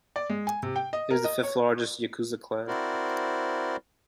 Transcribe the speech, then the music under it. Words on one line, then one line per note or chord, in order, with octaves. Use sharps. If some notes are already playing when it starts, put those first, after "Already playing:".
It is the fifth largest Yakuza clan.
D5
G#3
G#5
C3
G5
D#5
A#4
D#5
C#5
C4 E4 F#4 A#4 C5 D5